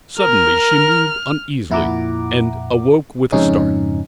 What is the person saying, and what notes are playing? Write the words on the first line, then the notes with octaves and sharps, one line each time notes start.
Suddenly she moved uneasily, and awoke with a start.
A#4 F6
F2 A#2 E4 F#5 A#5 D6
F2 G#2 C#3 C#4 D#4